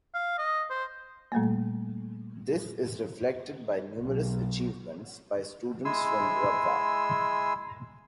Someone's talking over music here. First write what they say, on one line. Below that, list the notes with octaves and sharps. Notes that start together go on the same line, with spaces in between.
This is reflected by numerous achievements by students from Rabwah.
F5
D#5
C5
A#2 G3 A3 A#3
B1
G#3 E4 G#5 C6 E6